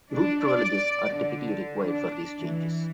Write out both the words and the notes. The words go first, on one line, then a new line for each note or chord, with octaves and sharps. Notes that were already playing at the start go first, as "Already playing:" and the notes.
Root privileges are typically required for these changes.
D4
D5
D3
D4
E3